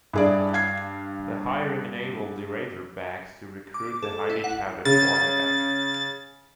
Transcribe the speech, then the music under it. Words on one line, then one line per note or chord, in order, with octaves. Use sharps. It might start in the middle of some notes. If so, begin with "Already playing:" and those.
The hiring enabled the Razorbacks to recruit the highly touted quarterback.
G2 E4 G#4 D5
F5 G#6 C7
D6
A4
E4
F#5
C#3 A6